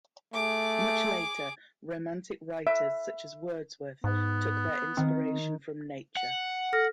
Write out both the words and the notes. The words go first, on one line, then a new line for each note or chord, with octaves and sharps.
Much later, Romantic writers such as Wordsworth took their inspiration from nature.
A3 G#4 D6
E5
G#2 B3
D#3 C4
F#5
A4 F6 A#6